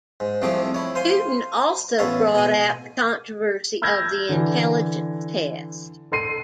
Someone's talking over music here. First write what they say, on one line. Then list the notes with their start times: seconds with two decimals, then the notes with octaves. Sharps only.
Hooton also brought out the controversy of the intelligence test.
0.20 G#2
0.42 C2 C3 F3 A3 G#4 D6
0.74 E4 C#5
0.95 C5 F5 G#5 C6
1.98 A1 B3 C#5 E5 F5 A5
2.35 B2 G#5
3.82 B5 E6 F6 G6 G#6 A#6
4.29 D3 E3
6.12 A4 C6 C7 D#7